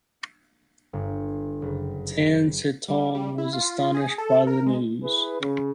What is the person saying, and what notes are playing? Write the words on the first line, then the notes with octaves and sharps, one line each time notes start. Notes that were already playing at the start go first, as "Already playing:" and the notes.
Tan Sitong was astonished by the news.
G1
F#1
G3
G3
E4
F4
G#4
A4
A#4
G#3
E4 G#4 B4
C#3